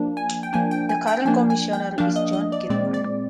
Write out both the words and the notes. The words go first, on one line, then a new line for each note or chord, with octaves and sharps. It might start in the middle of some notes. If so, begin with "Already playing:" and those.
The current Commissioner is John Kittmer.
Already playing: F3 A#3 D4
G#5
G5
F3 A#3 D4 G#5
G5
G#5
G5
F3 A#3 D4 G#5
G#5
G5
F3 A#3 D4 F5
D#5
D#5
D5
A#2 G#3 C4 D5
D5